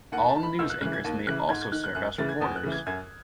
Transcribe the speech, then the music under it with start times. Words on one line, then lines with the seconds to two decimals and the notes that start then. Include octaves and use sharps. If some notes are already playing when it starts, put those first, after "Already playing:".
All news anchors may also serve as reporters.
0.12 D#2 F#5
0.28 A5
0.35 D#3
0.43 B5
0.59 C#2 E6
0.70 F#6
0.80 C#3 E3 F#6
0.93 G#6
1.04 D#2
1.27 C#3 E3 F#6
1.49 G#2 G#6
1.62 G#6
1.72 D#3 F#6
1.84 F#6
1.95 F#2 F#6
2.18 C#3 E3 A6
2.29 G#6
2.40 E2 D#6
2.56 F#6
2.63 C#3 E3
2.72 G#6
2.86 F#2 G#6